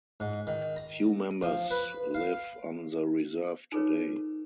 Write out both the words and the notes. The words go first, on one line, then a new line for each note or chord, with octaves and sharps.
Few members live on the reserve today.
G#2
D#3
A#5
F3
B4
F5
D#4 F4 G#4 A4 B4 C#5